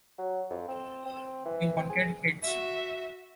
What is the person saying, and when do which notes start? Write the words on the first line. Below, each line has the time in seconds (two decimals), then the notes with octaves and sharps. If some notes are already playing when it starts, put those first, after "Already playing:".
They wanted hits.
0.19 F#3
0.50 F2
0.69 C4
1.06 C4
1.45 E3
1.78 C4
1.90 G#4
2.43 F#4 E5